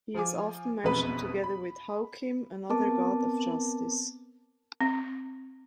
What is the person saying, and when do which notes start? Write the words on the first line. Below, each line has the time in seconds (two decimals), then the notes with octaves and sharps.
He is often mentioned together with Haukim, another god of justice.
0.14 F3 F4 G#5 D6
0.84 E1 A1 F2 B2 B3 B4
1.44 B5
2.70 B3 C4 A#4 A5 D6
4.81 C4